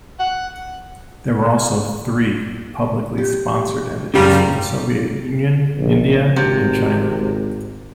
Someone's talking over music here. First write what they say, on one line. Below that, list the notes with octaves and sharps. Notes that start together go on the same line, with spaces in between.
There were also three publicly sponsored entities from the Soviet Union, India and China.
F#5
G4
F#2 C#3 G3 F4 A#4 C5
A#1
G#1 C3